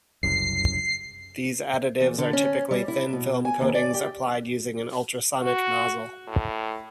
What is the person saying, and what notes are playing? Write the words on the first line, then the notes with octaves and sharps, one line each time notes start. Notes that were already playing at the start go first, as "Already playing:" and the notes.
These additives are typically thin film coatings applied using an ultrasonic nozzle.
F#1 C2 F#2 C7
E2
D3
C#4
G3
E4
B2
G#5
D#2
D5
G4
F#4
A2